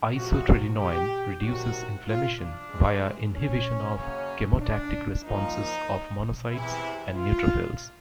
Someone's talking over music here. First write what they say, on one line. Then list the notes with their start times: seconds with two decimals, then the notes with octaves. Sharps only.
Isotretinoin reduces inflammation via inhibition of chemotactic responses of monocytes and neutrophils.
0.15 E2 C3 F3 A3 F#4
0.78 G4
1.42 C3 D#3 F#3 F#4
2.06 F4
2.37 D4
2.69 A2 E3 G#3 C4
3.33 C#4
3.96 F#2 C#3 F#3 A#3 C#4
4.60 D4
5.23 A#2 F3 A#3 D#4
6.50 E2 C3 E3 E4
7.14 F4